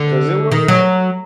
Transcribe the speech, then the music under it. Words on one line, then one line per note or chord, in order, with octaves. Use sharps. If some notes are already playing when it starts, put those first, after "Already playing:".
'cause it wasn't
Already playing: D3
D#3
F#3